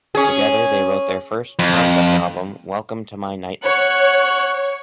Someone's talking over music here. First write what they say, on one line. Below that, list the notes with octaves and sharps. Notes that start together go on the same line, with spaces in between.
Together they wrote their first concept album, "Welcome to My Nightmare".
C#4 G#4
F2
C#5 F#5